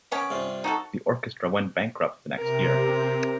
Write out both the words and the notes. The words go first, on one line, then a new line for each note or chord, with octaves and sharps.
The Orchestra went bankrupt the next year.
B3 C#4 B4 D6
G2 C3 F4
D#4 F#4 A4
C3 A#4